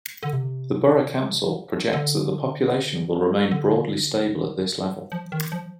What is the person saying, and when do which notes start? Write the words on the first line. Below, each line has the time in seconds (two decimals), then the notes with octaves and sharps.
The Borough Council projects that the population will remain broadly stable at this level.
0.23 D3
0.33 C3
1.93 D3
3.51 D3
5.12 F3
5.32 D#3
5.52 F3